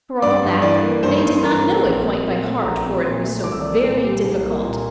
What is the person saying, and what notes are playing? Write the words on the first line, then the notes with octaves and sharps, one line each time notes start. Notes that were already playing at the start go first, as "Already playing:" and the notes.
For all that, they did not know it quite by heart, for it was so very difficult.
G2 D5 D6
G2
E3 D5 D6
A#3
G2 C5 C6
G2
C6
E3 A#4 A#5
A#3
A#1
C4
A#2
A3
A#1 A#4 A#5
C4
A#2 C5 C6
A3
C2 D6
E6
A#3 D5 D6
A#2
G3
C2
A#3
A#2